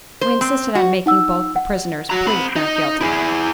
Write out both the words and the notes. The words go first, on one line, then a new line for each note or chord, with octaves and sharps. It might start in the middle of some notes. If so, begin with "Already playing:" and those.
We insisted on making both the prisoners plead not guilty.
C5
C4
F#4
D#4 F#5 E6
F#5
F#4 A#5
C4 B5
D#4
E4 G#4